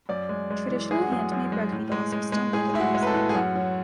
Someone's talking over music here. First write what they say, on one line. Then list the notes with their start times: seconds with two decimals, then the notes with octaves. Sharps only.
Traditional handmade rugby balls are still made at the museum.
0.09 F#2 D5
0.29 G#3
0.50 G#3
0.70 E3
0.91 G#3 G#4
1.02 F#4
1.11 F#2 G#4
1.32 F#2
1.52 G#3
1.72 A2
1.92 G#3
2.12 G#3
2.32 G#3
2.53 A2 G#4
2.74 A2 E4
2.80 F#4
2.95 G#3
3.03 B4
3.07 A4
3.14 A2
3.29 G#4
3.35 F#2 F#4
3.56 F#3